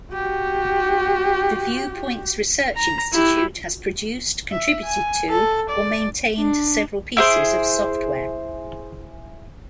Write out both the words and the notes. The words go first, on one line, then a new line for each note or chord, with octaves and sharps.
The Viewpoints Research Institute has produced, contributed to, or maintained several pieces of software.
F#4 G4
A#5
E4 G4
E5
G#5
A4
D5
D4
E4 G#4 C5